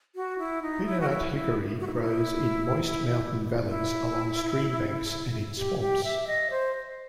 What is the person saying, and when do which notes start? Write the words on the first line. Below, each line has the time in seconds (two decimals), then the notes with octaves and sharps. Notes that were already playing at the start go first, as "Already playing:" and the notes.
Bitternut hickory grows in moist mountain valleys along streambanks and in swamps.
0.15 F#4
0.39 E4
0.62 D#4
0.86 E4
1.00 F#4
1.09 E4
1.33 E4
1.80 F#4
1.87 E4
1.94 D#4
2.01 E4
3.65 D#4
3.69 E4
5.57 G4
5.80 G4
6.04 E5
6.27 D#5
6.51 C5